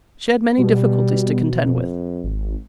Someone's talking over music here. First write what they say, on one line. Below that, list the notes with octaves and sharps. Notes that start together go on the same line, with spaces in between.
She had many difficulties to contend with.
B2 G3
F2
G#1